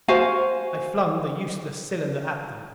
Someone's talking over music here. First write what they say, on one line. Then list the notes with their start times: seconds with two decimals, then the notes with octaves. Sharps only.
I flung the useless cylinder at them.
0.08 F#4 C5 F5 G#5